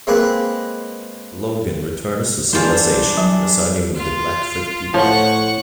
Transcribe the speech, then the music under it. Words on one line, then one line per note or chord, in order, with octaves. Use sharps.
Logan returns to civilization, residing with the Blackfoot people.
G#3 A#3 C4 B4
E3 G3 D4 F4 C5
F#3
F4
A2 F3 C#5 F#5 C#6